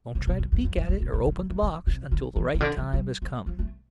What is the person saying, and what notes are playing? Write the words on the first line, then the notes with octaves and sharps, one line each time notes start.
Don't try to peek at it or open the box until the right time has come.
C3
B2
F2
F2
F2
G2
A2
B2
C3
D3
D3
E3
D3
C3
D3
E3
C3
D3
E3
G3
D3
F3
A3